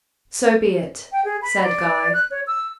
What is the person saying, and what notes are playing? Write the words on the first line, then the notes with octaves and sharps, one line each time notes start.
"So be it," said Guy.
G5
G#4
B5
D5
F#6
C#5
E6